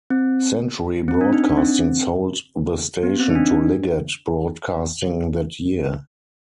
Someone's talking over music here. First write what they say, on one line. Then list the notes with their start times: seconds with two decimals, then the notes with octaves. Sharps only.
Century Broadcasting sold the station to Liggett Broadcasting that year.
0.10 C4
1.08 C4
1.21 D4
1.33 D#4
1.45 D4
1.57 C4
3.03 B3
3.19 C4
3.30 D#4
3.35 D4